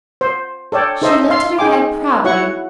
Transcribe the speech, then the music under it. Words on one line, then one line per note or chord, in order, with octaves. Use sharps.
She lifted her head proudly.
C5
A4 C#5 D5 G5
D#4 A4 C5 D#5 E5
E5 F5 C6
D#4 G#4 G5 G#5 D6
E4 F#4 C#5 F#5 C#6